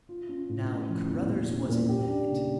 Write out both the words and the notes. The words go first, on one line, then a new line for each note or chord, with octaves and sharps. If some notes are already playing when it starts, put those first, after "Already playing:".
Now, Carruthers was an idiot.
F4
C#4
A2
C#4
F3
E2
A#2
C#4
A#2
G4
D4
C#3